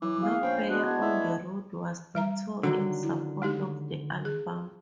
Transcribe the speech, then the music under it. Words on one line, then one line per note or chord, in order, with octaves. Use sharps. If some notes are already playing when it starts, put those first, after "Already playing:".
No Prayer on the Road was the tour in support of the album.
E3 F#3 D6
B3 G#4 F5
A#1 C#4 C5 G5
G#3 B3 D4 F#4 F#6
E1 G#6
A2 E5
G3 E5 A#5
D3 D#3 F#3 F#4
E4
G#3 D#4 G4
G#4